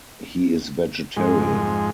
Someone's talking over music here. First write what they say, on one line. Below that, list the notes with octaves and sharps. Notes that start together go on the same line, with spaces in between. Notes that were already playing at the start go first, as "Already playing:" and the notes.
He is vegetarian.
F2 G#2 G#3